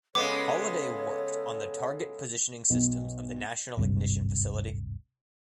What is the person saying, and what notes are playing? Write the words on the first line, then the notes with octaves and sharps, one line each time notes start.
Holliday worked on the target positioning systems of the National Ignition Facility.
C#3 G#3 B3 A4 C#5 D6
B1
D1 G#1 G2 C3